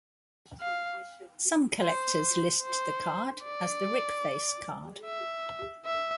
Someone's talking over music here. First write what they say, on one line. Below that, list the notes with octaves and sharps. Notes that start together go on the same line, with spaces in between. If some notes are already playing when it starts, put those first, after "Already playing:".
Some collectors list the card as the "Rick Face" card.
F5
C5
C5
D5
E5
E5